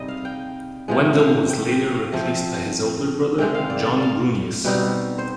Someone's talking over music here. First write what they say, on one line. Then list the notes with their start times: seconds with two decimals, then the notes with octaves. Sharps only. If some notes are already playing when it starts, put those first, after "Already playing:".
Wendell was later replaced by his older brother, John Brunious.
Already playing: C3 G3 C4 D#4 G#4 D#5
0.08 F5
0.25 G5
0.88 C3 F3 G#3
1.18 F5
1.50 G5
1.71 G5
1.92 F5
2.12 C3 F3 C4
3.38 C3 D#3 G#3 C4 G5
3.55 F5
3.70 D5
3.86 D5
4.02 F5
4.65 B2 G3 C4 D#4
5.18 C5